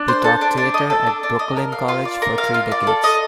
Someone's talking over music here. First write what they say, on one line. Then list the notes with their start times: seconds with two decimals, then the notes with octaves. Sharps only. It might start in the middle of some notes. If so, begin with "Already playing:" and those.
He taught theater at Brooklyn College for three decades.
Already playing: D4
0.08 C5
0.24 A4
0.41 D4
0.57 D4
0.74 D#5
0.90 A4
1.07 D4
1.23 D4
1.39 D#5
1.57 A#4
1.72 F5
1.88 F4
2.05 D5
2.22 A#4
2.38 F5
2.54 F4
2.72 D5
2.87 A4
3.04 D#5